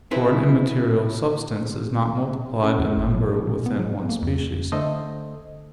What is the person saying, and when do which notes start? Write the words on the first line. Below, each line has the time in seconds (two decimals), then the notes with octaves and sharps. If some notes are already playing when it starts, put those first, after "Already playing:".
For an immaterial substance is not multiplied in number within one species.
0.11 C4 D#4 E4 G#4 B4 C5
2.64 C#4
2.79 E2
2.98 G#1
3.14 F#3
3.47 B2
3.66 B3
3.79 F#3
4.09 A#3
4.22 F2
4.72 D3 A3 A4 C5 D#5